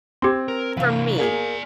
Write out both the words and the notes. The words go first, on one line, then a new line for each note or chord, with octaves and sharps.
for me
C4 G4 C6 G#6
A#4
C3 E3 F5
A#3 G#4 D5 G#5